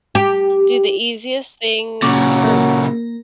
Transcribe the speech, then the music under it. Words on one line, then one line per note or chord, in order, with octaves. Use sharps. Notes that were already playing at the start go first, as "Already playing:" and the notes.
do the easiest thing for
G4
A#2 C#3 F#3 C#6 D6
A#3 A#4